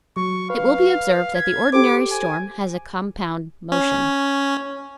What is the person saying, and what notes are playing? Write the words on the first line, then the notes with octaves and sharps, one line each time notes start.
It will be observed that the ordinary storm has a compound motion.
F#3 C#6
B4 F5
G#6 B6
G4 A4 C5 D6
G#5
C#4